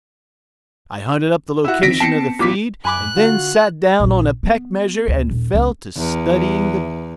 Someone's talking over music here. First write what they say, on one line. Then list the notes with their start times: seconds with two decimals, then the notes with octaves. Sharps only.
I hunted up the location of the feed, and then sat down on a peck measure and fell to studying the beast.
1.65 E4 F#4
1.83 D#3 F3 C4 A#6 B6 D7
2.00 B3 C4 G5 A5 C7 C#7
2.39 A1 B3 F4 D6 B6
2.85 F#2 G#5 B5 D6 F#6
3.17 D3 F4 F#4
4.00 A#1 C#4
4.43 B3
5.08 D2
5.31 D#1
5.54 C#2 B3
5.97 E2